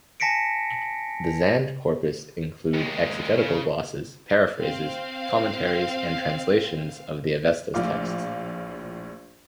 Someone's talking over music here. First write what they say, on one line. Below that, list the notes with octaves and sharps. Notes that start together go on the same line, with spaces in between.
The "zand" corpus include exegetical glosses, paraphrases, commentaries and translations of the Avesta's texts.
G#5 A5 A#6 B6 C#7 D7
D#2 G#3
C#3
C4 F5
A#1 A2 F4 F5 D6